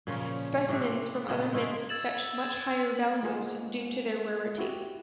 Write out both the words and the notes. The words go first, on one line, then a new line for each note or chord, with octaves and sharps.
Specimens from other mints fetch much higher values due to their rarity.
A#2 C#3 F3 C#4
A2 C3 D4 E5
B3
A#2 C#3 D#5
G#3 A3 E4 F4
E6 G#6 A6 E7 F#7
G#3 A#3 F4 G#4 C5 F#5
E4 F#4 G4